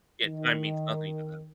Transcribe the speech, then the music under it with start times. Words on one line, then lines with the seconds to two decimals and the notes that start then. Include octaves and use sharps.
yeah, time means nothing to them.
0.24 D#3